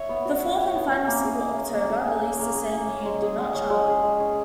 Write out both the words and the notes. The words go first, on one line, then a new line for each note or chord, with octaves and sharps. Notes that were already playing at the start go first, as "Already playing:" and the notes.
The fourth and final single, "October", released the same year, did not chart.
Already playing: C#5 E5
B3
F#4
E5
C#5
B3
C#4
A#3
G#4
A#3
C#4
A#3
G#4
A#3
C#4
A#3
G#4
A#3
C#4
G#3
G#4
G#3
C#4
G#3
G#4
G#3
C#4